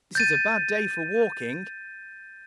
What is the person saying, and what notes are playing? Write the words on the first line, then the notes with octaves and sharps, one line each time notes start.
'This is a bad day for walking!
G6 A6 D#7